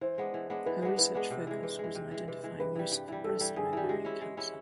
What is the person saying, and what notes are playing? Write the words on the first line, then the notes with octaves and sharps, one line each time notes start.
Her research focus was on identifying risk for breast and ovarian cancer.
E3 C5
G#3 B3 D4
E3
G#3 B3 D4
E3 B4
G#3 B3 D4
E3 B4
G#3 B3 D4
C3
E3 G#3
C3 B4
G#3
E3
C3
E3 G#3
C3 B4
E3 G#3
G2 B4
E3 G3
G2
E3 G3
G2 A4
E3 G3
G2 G#4
E3 G3
F#4
G#3 G4
C#4 E4
G#3
C#4 E4